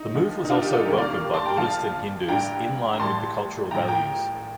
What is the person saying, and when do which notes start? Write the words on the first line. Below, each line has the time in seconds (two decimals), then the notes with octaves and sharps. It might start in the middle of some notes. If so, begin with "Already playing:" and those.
The move was also welcomed by Buddhists and Hindus inline with the cultural values.
Already playing: D#4
0.15 D#2 D3 F3
0.45 D#4
0.50 D4 F4
0.62 D#4 G4
0.73 F4 A4
0.85 D2 C3 D#3 G3 G4 A#4
0.98 D5 F5
1.34 A5 C6
1.45 G5 A#5
1.57 A#1 A#2 F3 F5 A5
2.28 A1 G2 D3 G5 A#5
2.94 A#5
2.99 A1 A2 G3 A5 C6
3.71 A1 A2 F3 G5 A#5
3.88 G5 A#5